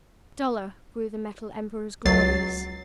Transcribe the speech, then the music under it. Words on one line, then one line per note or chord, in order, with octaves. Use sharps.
Duller grew the Metal Emperor's glories.
C#2 F#3 A6 C7